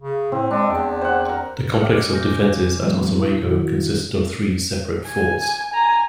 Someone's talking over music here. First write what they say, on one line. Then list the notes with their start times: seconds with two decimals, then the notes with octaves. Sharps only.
The complex of defenses at Oswego consisted of three separate forts.
0.01 C#3
0.32 A2 C4
0.51 G#3 D4
0.70 E2 G5
1.01 C5 F#5
1.29 A#4
1.81 D#5 D6 F6 C#7
2.13 G#5 D6 F6 G6 A#6
2.81 A#2 E3 F#3 G#3 B3 C4
3.13 A#2 E4
3.46 D3 D#3 E4 F#4
5.06 G#5
5.72 G#5 A#5